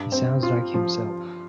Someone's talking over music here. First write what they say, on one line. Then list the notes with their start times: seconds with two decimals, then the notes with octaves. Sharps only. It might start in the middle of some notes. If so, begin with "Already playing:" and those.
He sounds like himself.
Already playing: G2
0.12 C4
0.43 F4
0.74 F3